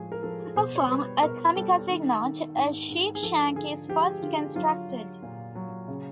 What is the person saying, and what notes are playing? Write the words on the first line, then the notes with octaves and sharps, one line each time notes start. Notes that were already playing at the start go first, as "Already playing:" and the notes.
To perform a kamikaze knot, a sheepshank is first constructed.
Already playing: A2 F3 G#3 G#4
A#4
F3 A4
B2 C5
C#5
C5
G3 B4
B2 A#4
G3 A4
D#3
D#3
G#2
G#2
G#4
F3 A4
D3 G#4
F3 G4
D3 F4
F#3 F4
F#3
A#2
F#3
C#3